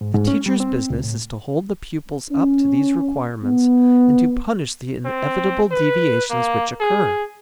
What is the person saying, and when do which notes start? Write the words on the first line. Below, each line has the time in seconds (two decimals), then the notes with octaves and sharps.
The teachers' business is to hold the pupils up to these requirements and to punish the inevitable deviations which occur.
0.01 G#2
0.14 G#2
0.28 C#4
0.46 G3
0.60 C4
0.90 C#2
1.04 A2
2.31 C#4
3.44 B3
5.06 C4
5.72 B4
6.30 A#3
6.80 G#4